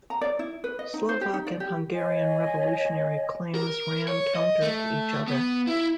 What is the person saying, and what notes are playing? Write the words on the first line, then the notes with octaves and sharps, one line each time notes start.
Slovak and Hungarian revolutionary claims ran counter to each other.
A#5
D5
E4
B4
D#5
D#4
C5
G4
D#4
D5
G4
C#5 D#5 G#5
A#4
C#5
D#5
A3
B3
E4